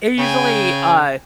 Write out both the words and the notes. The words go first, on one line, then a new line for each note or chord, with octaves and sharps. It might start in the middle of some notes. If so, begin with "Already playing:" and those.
it usually, uh,
C#3 G5 G#5